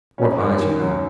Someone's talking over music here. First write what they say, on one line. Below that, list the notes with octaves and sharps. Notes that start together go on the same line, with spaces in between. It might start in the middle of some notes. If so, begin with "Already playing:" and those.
What eyes you have!
C#4
F#2
D#3
F#3